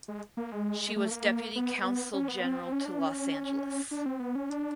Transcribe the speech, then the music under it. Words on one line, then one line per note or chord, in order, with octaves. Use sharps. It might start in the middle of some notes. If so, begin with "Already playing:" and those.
She was deputy consul general to Los Angeles.
G#3
A#3
G#3
A3
A#3
B3
C#4
B3
C4
C#4
D4
C#4
D4
C4
B3
C#4
D4